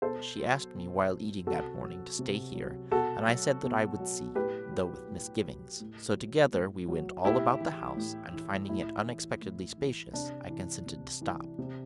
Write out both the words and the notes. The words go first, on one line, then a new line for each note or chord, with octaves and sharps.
She asked me while eating that morning to stay here, and I said that I would see, though with misgiving: so together we went all about the house, and finding it unexpectedly spacious, I consented to stop.
B2 A4 C5
F#3
B2
F#3
C3 F#4 A4
F#3
C3
F#3
B2 F#4 A4
F#3
B2
F#3
A2 G4 B4
F#3
A2
F#3
A2
F#3
A2
F#3
A2 E4 G4
E3
A2
E3
A2 E4
E3
A2
E3
C3 D4
E3
C3
E3
C3